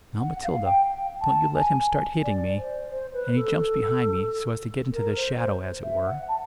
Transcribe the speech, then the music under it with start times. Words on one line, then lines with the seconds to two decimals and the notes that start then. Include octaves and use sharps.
Now, Matilda, don't you let him start hitting me.' And he jumps behind me, so as to get into the shadow, as it were.
0.20 F#5
0.43 F5
0.65 G5
1.21 A5
1.55 G#5
1.89 G#5
2.23 D5
2.57 C5
2.90 C5
3.13 B4
3.35 A4
4.93 A#4
5.16 C5
5.38 C5
5.83 E5
6.06 F#5
6.28 A5